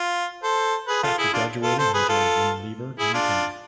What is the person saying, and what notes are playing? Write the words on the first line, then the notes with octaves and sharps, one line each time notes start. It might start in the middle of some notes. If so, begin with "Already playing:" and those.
After graduating he joined Unilever in Kenya.
Already playing: F4
A4 C5
G#4 B4
F4 A4
E4 G#4
D4 F4
F4 A4
A4 C5
G#4 B4
F4 A4
E4 G#4
D4 F4